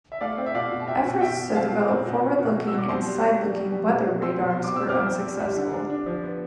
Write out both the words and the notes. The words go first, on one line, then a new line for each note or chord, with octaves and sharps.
Efforts to develop forward-looking and side-looking weather radars were unsuccessful.
E5
A3 D5 F5
C4
E5
B2 D5 F5
B2
A5
B2 E5 G5
B2
B2 E5 G5
B2
C4 F5 A5
B2
C4
B2
B2
B2
B2
E6
B2
D6
C4 A5 C6
G3
G3
G3
G3
G3
B2
B2
C4 C6 E6
B2
C6
B2
D6
C4 E6
C4 D6 F6
C4
G3
G3
D3
D4
D4
F3
B3